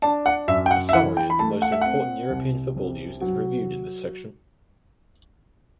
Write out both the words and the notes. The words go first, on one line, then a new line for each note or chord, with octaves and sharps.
A summary of the most important European football news is reviewed in this section.
D4 A5
F#5
F#2 E5
G5
F#5
E5
E3 F#5
G5
B5
A3 A5
F#5
E5
C4 F#5
C2
C3
F#3